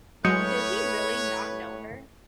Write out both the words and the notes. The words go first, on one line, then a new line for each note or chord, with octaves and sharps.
Does he really not know her.
A2 F#3 G#3 B4 C#5 D#6 G6 C#7